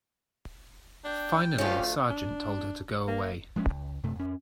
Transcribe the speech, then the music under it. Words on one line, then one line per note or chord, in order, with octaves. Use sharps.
Finally a sergeant told her to go away.
D4 G5
D2 F3 A3 C#4 F4 G4
D4
A#3
F3 G#3 A3 C#4
C#2
F#2 C3 A3
F2 C#4